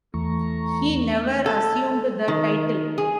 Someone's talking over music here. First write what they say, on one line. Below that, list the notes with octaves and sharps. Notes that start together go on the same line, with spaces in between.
He never assumed the title.
E2 E3 A3 A#5 C#6
A4
D#3
G#4